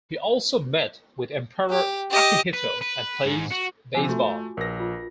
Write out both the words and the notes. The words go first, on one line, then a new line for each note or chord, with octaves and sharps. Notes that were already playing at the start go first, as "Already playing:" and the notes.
He also met with Emperor Akihito and played baseball.
G4
G4 D#5
B4
B4
G#2
F#4
C3 F3 C4 G#5 D6
A3 F4 F#4 C6
A#1 A#4 B4 A#6
F4